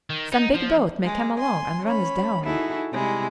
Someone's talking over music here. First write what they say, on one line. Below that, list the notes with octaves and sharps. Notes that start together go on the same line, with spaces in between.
"Some big boat may come along and run us down."
D#3
D#4
F3
G#3
G#5 C6
C#4 C#5 B5
D#4 E4 F#4 G#4 A4
C3 G3 G#3 E4